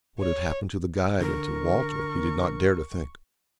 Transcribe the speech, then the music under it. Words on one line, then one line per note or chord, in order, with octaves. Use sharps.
What had happened to the guide and to Walter he did not dare to think.
C#5
D3 A#4 C#6